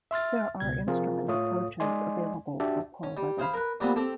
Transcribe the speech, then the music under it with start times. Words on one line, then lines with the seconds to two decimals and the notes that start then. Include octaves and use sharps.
There are instrument approaches available for poor weather.
0.11 E5 C6 F6 A6
0.60 C#2 B2 G#6
0.87 C3 F3 C4 F4 G#4 A#4
1.28 A2 A3 F4 C#5 D#6
1.80 G#3 D#4 D5 D#5 G#5 C6
2.60 D4 F#4 G4 E5 A5
3.03 C#4
3.17 G3
3.38 G#4 C5 F5 B5
3.54 A#4 B4
3.80 A#2 G3 B3 C4 B5 D#6
3.96 C4 G4 A4